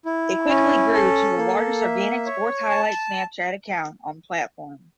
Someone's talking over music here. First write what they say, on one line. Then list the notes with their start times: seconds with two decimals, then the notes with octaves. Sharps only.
It quickly grew to the largest organic sports highlight Snapchat account on the platform.
0.05 E4
0.48 C#4
0.93 A4
1.37 A#3
1.81 E5
2.26 C#5
2.70 A5